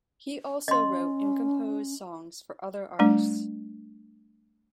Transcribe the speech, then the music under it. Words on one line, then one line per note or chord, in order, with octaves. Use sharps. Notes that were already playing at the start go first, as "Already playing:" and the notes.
He also wrote and composed songs for other artists.
C#4 D#5 C6
G3 A3 D4